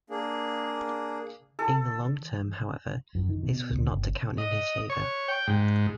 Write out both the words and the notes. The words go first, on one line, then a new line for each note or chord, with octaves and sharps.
In the long term, however, this was not to count in his favour.
A#3 D4 G#4
A4
F#2
D#3
B2
D2
G1
D#5
C#5
G5
G#2